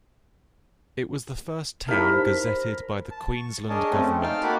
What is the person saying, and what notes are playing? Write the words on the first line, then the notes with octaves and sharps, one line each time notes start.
It was the first town gazetted by the Queensland Government.
D#4 E4 G4 A#4 B5
C5
A5
C#6
D4 G#4 A#4 C#5 D#5 A5
A3 C4 C#4
D#4 F5 G5 A5 F6
A#3 F#4 A#4 F#5 B5 D6